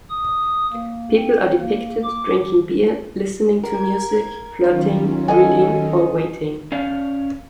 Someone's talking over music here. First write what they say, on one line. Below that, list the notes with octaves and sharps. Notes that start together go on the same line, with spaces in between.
People are depicted drinking beer, listening to music, flirting, reading, or waiting.
D#6
A#3
C4
A#3
D6
A#4 G#6
D#3 F#3 C#4 F4
A4 D#5 G#5
C#4 C#5 D5 F5